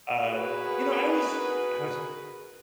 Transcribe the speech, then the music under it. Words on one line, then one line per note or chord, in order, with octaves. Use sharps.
um You know, I was I was
F#4 G#4 A#4 B4